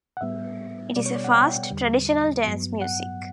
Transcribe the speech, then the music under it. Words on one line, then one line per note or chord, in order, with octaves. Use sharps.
It is a fast, traditional dance music.
F#5
A2 G3 B3 E5
B2 G3 B3 D5
C#5
D5
F#5
G5
E2 D3 G3
G2 F#3 B3
F#5